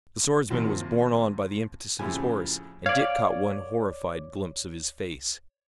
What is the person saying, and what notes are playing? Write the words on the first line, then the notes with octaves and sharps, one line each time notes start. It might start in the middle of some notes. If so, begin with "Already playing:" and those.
The swordsman was borne on by the impetus of his horse, and Dick caught one horrified glimpse of his face.
D#2 C3 D#3 F3 F#3
F2 A2 C#3 G4 G#5
C#5 D5 F5